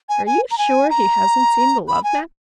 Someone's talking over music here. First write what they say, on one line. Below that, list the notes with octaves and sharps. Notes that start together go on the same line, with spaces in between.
"Are you sure he hasn't seen the Love Magnet?"
G#5
G#5
A#5
G#5
A#5
B5
G#5